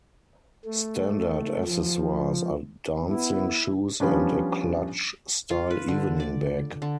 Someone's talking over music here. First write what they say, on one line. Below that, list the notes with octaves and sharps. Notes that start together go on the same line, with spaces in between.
Standard accessories are dancing shoes and a clutch style evening bag.
A3
F3
B3 E4
F3 G3 B3 C#4 D4
F4
B4
D3
D5
D3